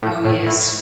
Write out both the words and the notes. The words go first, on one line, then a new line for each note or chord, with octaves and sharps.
Oh, yes.
A2
A2
A2